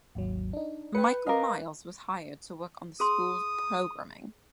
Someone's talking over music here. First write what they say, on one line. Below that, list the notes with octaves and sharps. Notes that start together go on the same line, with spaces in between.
Michael Miles was hired to work on the school's programming.
G#1 D#2 F#3
D4 D#4
B4 G5 C#7
A#4 D#5 F5 D6
G#4 C6 D#6